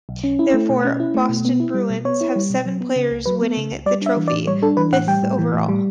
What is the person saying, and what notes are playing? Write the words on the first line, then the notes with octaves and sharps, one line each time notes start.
Therefore, Boston Bruins have seven players winning the trophy, fifth overall.
B1
C#4
E4
A3
B2
C#4
E4
A3
B2
B3
E4
G3
B2
B3 C#5
E4
G3
B2
F#3
B3
C#3
C#2
F#3 B4
B3
C#3
C#2
G3 D5
D4 E5
E3
D5
A2
G3 C#5
D4 A4
E3 B4
A2 F#5
G3 G5
A2
E3
A2
G3